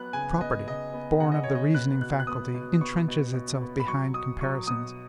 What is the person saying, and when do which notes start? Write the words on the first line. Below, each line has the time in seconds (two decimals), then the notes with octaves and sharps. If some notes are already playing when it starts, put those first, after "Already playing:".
Property, born of the reasoning faculty, intrenches itself behind comparisons.
Already playing: F#3 B3 F#6
0.13 C#3 G#5
0.41 B3 D#5
0.67 C#3 D#5
0.94 B3
1.20 C#3 F#5
1.32 D#5
1.44 C#3 C#5
1.55 D#5
1.75 B3 F#6
2.01 B2 F#6
2.20 F#6
2.27 B3 D#6
2.54 B2
2.81 B3 C#6
3.08 B2
3.34 B2
3.62 B3
3.80 B5
3.87 F#3 C#6
4.14 B2 D#6
4.41 F#3 C#6
4.67 B2 D#6